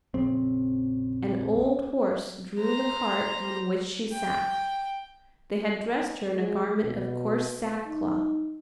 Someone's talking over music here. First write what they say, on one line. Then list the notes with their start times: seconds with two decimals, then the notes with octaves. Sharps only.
An old horse drew the cart on which she sat. They had dressed her in a garment of coarse sackcloth.
0.14 A#1 F2 C#3 C4
2.59 C5 A#5
4.12 G5
6.36 G#3
6.83 B2
7.86 D#4